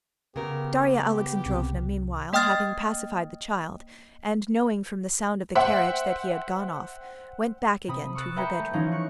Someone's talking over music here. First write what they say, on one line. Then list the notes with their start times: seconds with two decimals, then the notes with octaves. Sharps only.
Darya Alexandrovna meanwhile having pacified the child, and knowing from the sound of the carriage that he had gone off, went back again to her bedroom.
0.36 C#3 B3 G4 A#4
1.45 C2 C3
2.33 A#3 D#5 G5 D#6 F6 A6
5.55 C5 E5 F#5 G5
7.88 C3 B5 D#6
8.15 C#6 D#6 E6 F#6 A6
8.36 B4 E5 G5 A#5 B5 C#6
8.59 A3
8.73 E3 F3 C#4 D#4 F4
8.92 C#6 F#6 C#7